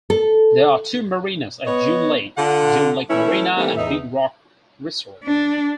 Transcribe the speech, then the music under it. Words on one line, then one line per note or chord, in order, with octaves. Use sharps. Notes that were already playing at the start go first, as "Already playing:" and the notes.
There are two marinas at June Lake: June Lake Marina and Big Rock Resort.
A4
B3 C#5 D#5
D3 F4 F#5
E3 A3 C#4 E4
D#3 E3 G3 A3 A#3 C4
E2 D#4 E5
D4